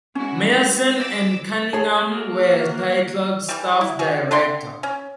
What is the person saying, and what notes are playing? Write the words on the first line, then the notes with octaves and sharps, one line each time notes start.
Meyerson and Cunningham were titled "Staff Director".
G#3 C#4 E4 F#4
D6 E6
G#4 C#5 A5
A#3 F#4
E3 G3
E4
F#4 G#4
D3 A3 G5 C6
C#4